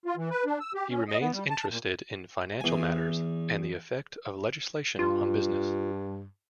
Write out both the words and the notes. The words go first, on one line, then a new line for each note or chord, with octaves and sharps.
He remains interested in financial matters and the effect of legislation on business.
F4
E3
B4
D4
E6
G4
C#4
D#5
B3
G3
A5
A#2
E2 G#5
G2 F4